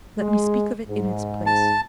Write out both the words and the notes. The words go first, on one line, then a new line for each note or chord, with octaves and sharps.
Let me speak of it in its place.
G#3
G#2
A5